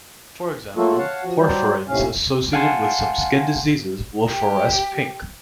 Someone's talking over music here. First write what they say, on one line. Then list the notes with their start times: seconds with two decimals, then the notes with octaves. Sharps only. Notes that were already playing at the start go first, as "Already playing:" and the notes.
For example, porphyrins-associated with some skin diseases-will fluoresce pink.
0.77 F#3 A3 A#3 F4 F#4 A4
0.98 C#5 F5 F#5 A5
1.24 F3 F#4
1.39 F#3 G3 C5 D5
1.87 D#2 A2 C3 C#4 F5
2.53 F5 F#5 G#5 A5 C6
4.32 G4